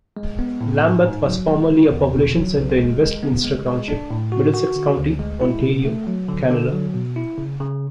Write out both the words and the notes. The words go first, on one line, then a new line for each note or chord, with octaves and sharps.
Lambeth was formerly a population centre in Westminster Township, Middlesex County, Ontario, Canada.
G#3
B3
A2
G#2
G#2
F#3
G#3
D3
E2
B2
F#3
B1
G#3
G#3
B3
G#3
G#3
D4
A2
F#4
F#4
D3
D2
G#3
E4
B2
A3
F#3
D3
D3
F#3
B2
E4
C#3
C#3